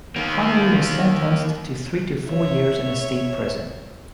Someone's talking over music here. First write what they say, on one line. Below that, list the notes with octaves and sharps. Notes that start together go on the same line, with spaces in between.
Connolly was sentenced to three to four years in the State Prison.
D#3 A#3
C#5 E5